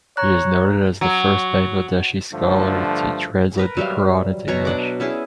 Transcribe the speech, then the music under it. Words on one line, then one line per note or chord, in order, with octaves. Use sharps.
He is noted as the first Bangladeshi scholar to translate the Quran into English.
C#5 A#5 F#6
F#3
G2 D3 F3 A3
A#4 B4 A#5
F#3 G3 E5 F5
B2 F#3 C#5 A#5
D4 F#5 D6
B3 C#4 E4 G#4